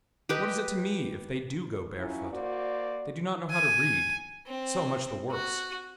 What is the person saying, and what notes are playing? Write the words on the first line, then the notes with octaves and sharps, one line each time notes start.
What is it to me if they do go barefoot! They do not know how to read; so much the worse.
G4 B4 D#5
F#3 C#4 E4 F4
A#3 F#4 C5 D5
G#5
C4
F#4